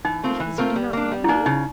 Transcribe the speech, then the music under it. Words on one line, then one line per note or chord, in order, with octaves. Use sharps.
"Because you do not love me?"
E3 D#4
A3 C4 F4 A#4
E3
A3 C4 F4 A#4
G3
A#3 D4
G3
E4
A#3 D4 D#4
C#3 D#4